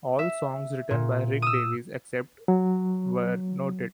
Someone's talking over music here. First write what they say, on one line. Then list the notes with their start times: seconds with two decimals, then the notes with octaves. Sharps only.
All songs written by Rick Davies, except where noted.
0.19 E5
0.91 A#2
1.42 D#6 E6
2.48 F#3